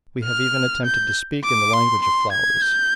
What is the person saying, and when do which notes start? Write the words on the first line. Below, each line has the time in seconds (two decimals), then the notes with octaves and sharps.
We have even attempted to speak in the language of flowers.
0.24 F6
0.85 G6
1.44 D6
1.73 C6
2.02 C6
2.32 G#6
2.61 G6